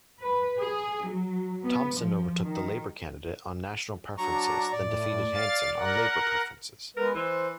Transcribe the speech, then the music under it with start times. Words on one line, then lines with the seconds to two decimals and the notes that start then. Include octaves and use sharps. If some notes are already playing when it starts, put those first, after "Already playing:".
Thompson overtook the Labor candidate on National preferences, then defeated Hanson on Labor preferences.
0.22 B4
0.58 G#4
1.08 F#3
1.64 B3
1.96 F3
2.44 D#3
4.18 F#3 D4 A#5 C#6
4.72 A2 D5
5.34 F5 A6
5.76 A#4 F#5
6.97 G#3 B3 A#4 B4
7.15 E3 C5